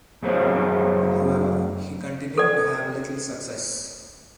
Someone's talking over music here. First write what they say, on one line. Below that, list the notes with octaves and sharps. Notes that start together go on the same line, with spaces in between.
However, he continued to have little success.
F#2 A3 G#4 C5 C#5
A4 D5